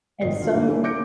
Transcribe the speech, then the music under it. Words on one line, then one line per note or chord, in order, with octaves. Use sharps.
And some
G#1 B2 D#5 C7
D3 F4
G2 D3 D#3 G3
A#3 C#4 E4
D6 G6 A#6 C#7 D7